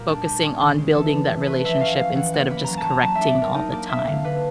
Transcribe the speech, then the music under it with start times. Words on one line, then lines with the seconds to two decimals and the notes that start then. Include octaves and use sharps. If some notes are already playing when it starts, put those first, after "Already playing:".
focusing on building that relationship instead of just correcting all the time.
Already playing: A#2 G3 A#4
0.08 D4
0.26 G3
0.42 C#4
0.60 D#3
0.78 G#3
0.94 E3 A4
1.13 E3
1.30 E3
1.46 A3 B4
1.64 F3 E5
1.81 C#4 F5
1.99 E3 F5
2.15 E3 F#5
2.33 A#3 F#5
2.50 A#3 B5
2.64 F#3 A#5
2.77 A5
2.85 F#3 A#5
3.02 F#3 A5
3.15 E5
3.21 D4
3.28 D5
3.38 D4 A#4
3.54 D#4 A#4
3.72 A#3 D5
3.89 A#3 E5
4.06 D3 F5
4.24 D3 B4